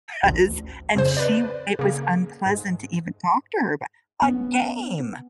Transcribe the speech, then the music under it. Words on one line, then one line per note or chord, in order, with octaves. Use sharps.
was, and she it was unpleasant to even talk to her about a game,
A1 D2
F2 C#3 C5
B4 D5
C#3 A#3
G#2
B3 C#4